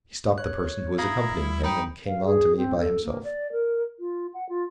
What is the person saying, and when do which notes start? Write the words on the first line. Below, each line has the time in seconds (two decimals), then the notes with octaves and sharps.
He stopped the person who was accompanying him and came on to me by himself.
0.38 C#5 F#6
0.98 E4 F5 A#5 D#6 G#6
1.36 G3
1.64 D#4 G5 B5 D#6
2.07 F5
2.25 G#4
2.57 C4
2.80 A4
3.04 A#3
3.24 D5
3.52 A#4
3.99 F4
4.34 F#5
4.49 F4